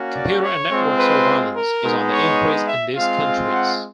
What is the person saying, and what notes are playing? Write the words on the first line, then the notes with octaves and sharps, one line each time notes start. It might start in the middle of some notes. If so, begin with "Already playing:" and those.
Computer and network surveillance is on the increase in these countries.
Already playing: A#3 C#4 F#4
D5
C#5
G#3 C4 F4
B4
A#4
G#3 B3 D#4
C#5
E5
G#3 C4 F4 F5
F#5